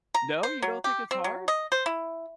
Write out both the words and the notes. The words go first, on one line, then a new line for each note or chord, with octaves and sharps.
No, you don't think it's hard?
A#5
C5
F#3
G4
C4
F#3
D#5
C5
E4